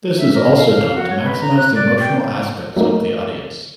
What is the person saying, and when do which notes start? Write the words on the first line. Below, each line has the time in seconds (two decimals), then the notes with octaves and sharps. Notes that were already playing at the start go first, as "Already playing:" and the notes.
This is also done to maximize the emotional aspects for the audience.
0.18 E5
0.34 A#4
0.56 F5
0.70 F5
0.95 F#4
1.10 C#5
1.24 B4
1.40 A#5
1.58 F#6
1.75 D5
1.99 G5
2.76 F#3 A3 A#3 D#4 A#4